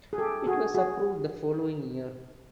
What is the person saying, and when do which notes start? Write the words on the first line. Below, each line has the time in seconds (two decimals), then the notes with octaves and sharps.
It was approved the following year.
0.13 G#4
0.18 G4 A4
0.47 F#4 G#4
0.75 F#4 G#4